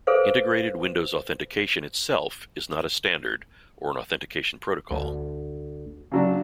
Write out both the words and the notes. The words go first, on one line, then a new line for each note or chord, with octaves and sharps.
Integrated Windows Authentication itself is not a standard or an authentication protocol.
G#4 A4 B4 C5 F5
D2
C#3 F#3 D4